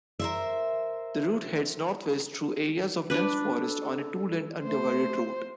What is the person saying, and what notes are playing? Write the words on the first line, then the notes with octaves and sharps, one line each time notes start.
The route heads northwest through areas of dense forest on a two-lane undivided road.
A#4 C5 E5
D4 B4
A4
A3 C5